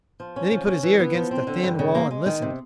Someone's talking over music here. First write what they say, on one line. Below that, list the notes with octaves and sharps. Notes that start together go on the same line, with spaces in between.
Then he put his ear against the thin wall and listened.
F3
C#4
F3
C#4
E3
B3
F3
C4
D3
G2
C#3
A#3
G#3
D#3
C3